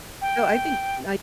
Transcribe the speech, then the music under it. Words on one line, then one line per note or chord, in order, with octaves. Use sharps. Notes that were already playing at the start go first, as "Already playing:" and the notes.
So I think, night
G5